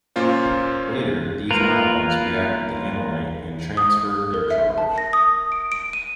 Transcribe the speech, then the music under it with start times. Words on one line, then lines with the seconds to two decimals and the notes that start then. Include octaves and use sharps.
Later, these ions react with the analyte and transfer their charge.
0.16 A#2 A#3 C#4 F4 C5
1.51 A#3 F4 A#4 B4
3.77 D#6
4.34 A#4
4.50 E5
4.78 A5
4.98 A#6
5.13 D#6
5.52 D7
5.72 D7
5.93 D#7